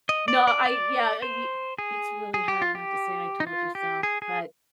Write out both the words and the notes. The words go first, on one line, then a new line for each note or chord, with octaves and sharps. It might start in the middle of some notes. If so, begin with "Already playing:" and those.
No, I yeah, uh, y it's really hard not to say I told you so, but
D#5
D5
D5
D5
C5
G#4
G#4
G4
F4
G4
D#4
F4
G4
G#4
G#4